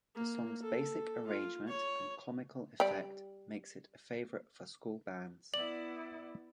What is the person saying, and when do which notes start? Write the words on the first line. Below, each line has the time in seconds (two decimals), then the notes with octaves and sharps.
The song's basic arrangement and comical effect makes it a favourite for school bands.
0.15 A#3
0.62 A4
1.27 F4
1.68 C#5
2.80 G3 D5
5.54 B3 E4 D5 F#7